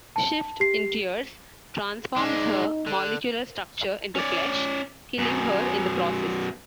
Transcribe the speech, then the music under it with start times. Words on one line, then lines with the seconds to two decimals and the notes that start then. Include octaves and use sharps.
Shift, in tears, transforms her molecular structure into flesh, killing her in the process.
0.16 A5
0.60 G4 C7
2.16 G#3 D4 D#4
2.87 D3
4.15 C#4 D5
5.18 F#2 B2